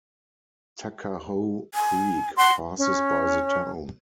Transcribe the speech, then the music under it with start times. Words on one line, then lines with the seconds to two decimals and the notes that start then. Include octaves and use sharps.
Tuckahoe Creek passes by the town.
1.75 G#5
2.37 F#5 C6
2.76 C#4